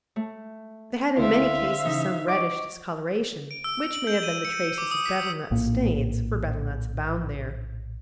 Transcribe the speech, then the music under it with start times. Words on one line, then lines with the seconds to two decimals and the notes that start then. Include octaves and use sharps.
They had in many cases some reddish discoloration, which may have been the traces of betel-nut stains: for betel-nuts abound there.
0.16 A3
1.17 C#2 D3 C4 E4 C5 E5 F5
1.85 C#3 E3 D#4
2.28 D#5 C#6 D6
3.51 D7
3.64 E6
3.93 F#7
4.07 G6
4.23 D#7
4.45 C#7
4.78 D6
4.91 D#6
5.06 B6
5.51 A#1 A2 A#3